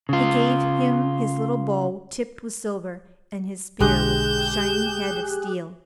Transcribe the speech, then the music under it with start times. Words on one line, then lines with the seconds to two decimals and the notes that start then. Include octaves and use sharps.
He gave him his little bow tipped with silver, and his spear with shining head of steel.
0.09 C#3 F4
3.80 B1 D3 G#3 G4 G#4 F#6 G6 E7